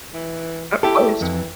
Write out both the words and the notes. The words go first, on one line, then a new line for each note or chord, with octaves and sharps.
Uh, honest
E3
E4 G4 A4
F2 E3